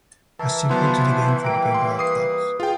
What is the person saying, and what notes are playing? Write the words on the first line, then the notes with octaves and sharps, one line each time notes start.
A sequel to the game for the Game Boy Advance.
E3 E4 A#4 A5
F#3 B3 E4 F4 C5 F#5 A5
G3 A#3 G5 A#5 D7
C6
B4 D#6 C7
F4 G#4 G5